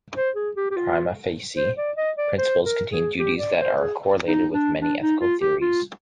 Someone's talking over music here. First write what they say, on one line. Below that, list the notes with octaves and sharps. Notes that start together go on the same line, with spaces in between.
"Prima facie" principles contain duties that are correlated with many ethical theories.
C5
G#4
G4
G4
F4
C5
D5
D#5
D5
C5
A#4
G#4
G4
D5
C5
G#4
D#4
D4
D4
D#4
F4
G4
F4